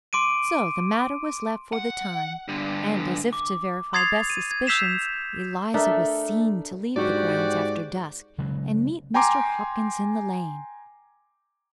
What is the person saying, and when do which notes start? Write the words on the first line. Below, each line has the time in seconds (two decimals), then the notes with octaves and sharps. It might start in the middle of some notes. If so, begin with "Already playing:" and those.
So the matter was left, for the time; and as if to verify Beth's suspicions Eliza was seen to leave the grounds after dusk and meet Mr. Hopkins in the lane.
0.13 C6 D6 D7 D#7
1.73 F#5
2.48 G2 D3
3.33 D6
3.93 C6 D#6 G#6 A6 C7 F7
4.30 D#7
4.51 G#6
4.67 E6 G6 B6 C7 E7 F7
5.74 A3 D4 A#4 D#5
6.96 G#2 F#3 D4 F#4 G4 D5
8.38 C#3 F#3 G#3
9.14 G5 G#5 A#5 C6 D6